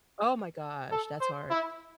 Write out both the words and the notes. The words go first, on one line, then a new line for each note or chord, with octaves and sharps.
Oh my gosh. That's hard.
A4
C5
E4